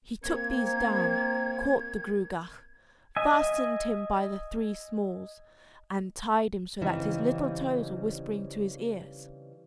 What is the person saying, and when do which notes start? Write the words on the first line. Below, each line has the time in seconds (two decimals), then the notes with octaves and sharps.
He took these down, caught the Gruagach, fastened him by the three smalls, and tied him so that his little toes were whispering to his ears.
0.24 A#3 C4 A#4 G#6
3.16 D#5 E5 G#5
6.81 C#3 E3 G3 C4 C#4 D#4